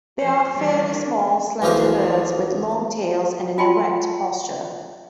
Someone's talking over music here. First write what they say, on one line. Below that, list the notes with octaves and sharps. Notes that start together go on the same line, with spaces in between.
They are fairly small, slender birds with long tails and an erect posture.
F3 C5
D#3 E3 G3 A#3 C#4 D4
B1 E3 F3 F4 C5
F4 D#5 G5 A5 B5 C6